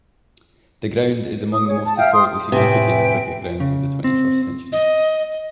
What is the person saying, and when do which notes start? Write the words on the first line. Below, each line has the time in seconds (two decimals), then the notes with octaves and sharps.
The ground is among the most historically significant cricket grounds of the twenty-first century.
1.53 D#6
1.67 G#4 C#5
1.84 A5
1.96 E5 F5 G5 F6
2.13 C6 D#6
2.52 A2 C3 B4 E5 G5 G#5
3.60 C#3
4.04 C4
4.72 D#5